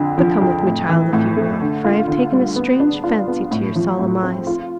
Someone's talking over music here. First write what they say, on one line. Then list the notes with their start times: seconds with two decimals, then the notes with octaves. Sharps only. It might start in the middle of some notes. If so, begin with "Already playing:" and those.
But come with me, child, if you will, for I have taken a strange fancy to your solemn eyes.
Already playing: F2 D3
0.18 F3
0.41 F2
0.65 A2
0.89 E3
1.13 A2
1.37 A3
1.61 D3
1.84 F4
2.08 D3
2.32 G3
2.56 B3
2.80 D4
3.03 F4
3.28 B3
3.51 A2
3.75 F3
3.99 A2
4.23 C4
4.47 F4